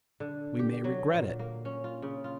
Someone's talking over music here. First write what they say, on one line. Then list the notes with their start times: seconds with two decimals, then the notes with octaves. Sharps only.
We may regret it.
0.20 D3
0.59 G4
0.84 F#3
1.14 A#2
1.39 A#3
1.65 C#4
1.84 F4
2.02 C#3
2.24 F4